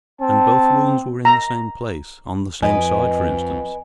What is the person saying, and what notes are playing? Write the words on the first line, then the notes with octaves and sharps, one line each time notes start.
"And both wounds were in the same place--on the same side, for instance?"
C4 A5
A#5
F2 B4 D#5 G#5